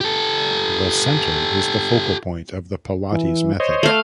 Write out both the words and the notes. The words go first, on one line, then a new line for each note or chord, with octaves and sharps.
The center is the focal point of the Pilates method.
G4 A4
E3
C5 C#5 D#5
A3 F5